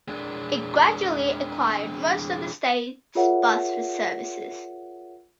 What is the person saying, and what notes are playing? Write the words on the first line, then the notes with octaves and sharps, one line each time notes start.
It gradually acquired most of the state's bus services.
G#3 D4
F4 G#4 A#4 C#5 E5 F#5